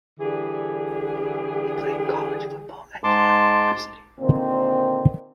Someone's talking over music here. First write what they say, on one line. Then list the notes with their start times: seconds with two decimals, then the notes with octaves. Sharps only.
He played college football at Yale University.
0.20 D3 E3 G3 G#4
3.04 G#2 G#3 A5 C6 D6
4.19 A#2 D3 D#3 C4